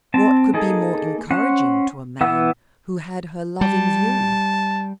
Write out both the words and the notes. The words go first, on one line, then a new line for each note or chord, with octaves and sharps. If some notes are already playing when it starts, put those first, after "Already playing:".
What could be more encouraging to a man who had her love in view?
C4 A5
A#3 D#4 G#4 A4
C#4 C5 F#5
E3 B3 F#5 E6
G3 A5